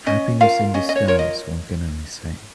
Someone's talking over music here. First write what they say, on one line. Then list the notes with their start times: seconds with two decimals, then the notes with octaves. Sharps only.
Happiness in disguise, one can only say.
0.06 C#4 D#5
0.41 F4 A#4 F5
0.74 C#4 D#5
0.89 D#5
0.96 C#5
1.07 F4 A#4 C#5
1.19 D#5